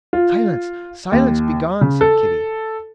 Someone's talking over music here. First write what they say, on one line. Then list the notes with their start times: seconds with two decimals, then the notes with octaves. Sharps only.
"Silence, silence, begone!" said Kitty.
0.13 F4
1.12 D#2
1.81 C#3
2.01 A4